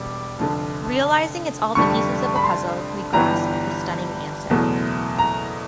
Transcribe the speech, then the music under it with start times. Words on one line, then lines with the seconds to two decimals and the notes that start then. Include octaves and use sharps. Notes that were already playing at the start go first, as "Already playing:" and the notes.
Realizing it's all the pieces of a puzzle, we grasp the stunning answer.
Already playing: E1 G3 D6
0.39 F1 F2 D3
1.75 F1 F2 D3 G3 C#6
2.36 B5
2.44 C6
3.13 G1 G2 E3 G3 B3 A#5
4.50 F#1 E2 B2 F#3 A3
5.19 A#5